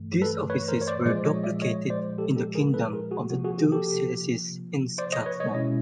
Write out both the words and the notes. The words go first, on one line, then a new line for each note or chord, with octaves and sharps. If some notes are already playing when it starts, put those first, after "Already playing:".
These offices were duplicated in the Kingdom of the Two Sicilies and Scotland.
Already playing: G2 E3 A3
A4 B4
B4 C#5
A#4 C5
C#5
C5 D5
A#2 F3 G#3 C5 D5
C#5 D#5
D5 E5
C#5 D#5
C5 D5
G4 A4
G4 A4
G#4 A#4
A4 B4
G#4 A#4
F#4 G#4
C3 F3 A#3 F#4
F#4 G#4
F#4 G#4
G4 A4
C5 D5
C#5 D#5
B4 C#5
C#5 D#5
B2 G#3 C#4 E4 C#5 D#5